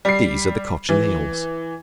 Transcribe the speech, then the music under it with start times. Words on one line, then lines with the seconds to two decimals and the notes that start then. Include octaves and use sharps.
These are the Cochineals.
0.05 G3 C7
0.89 E3